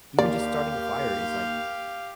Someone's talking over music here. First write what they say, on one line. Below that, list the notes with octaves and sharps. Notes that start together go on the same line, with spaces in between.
even just starting a fire is, like,
D#2 G4 D5 F5